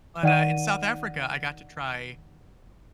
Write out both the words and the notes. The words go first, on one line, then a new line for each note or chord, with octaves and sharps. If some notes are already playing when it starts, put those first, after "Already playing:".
But, uh, in South Africa, I got to try
D#3 D5 F#5 D#7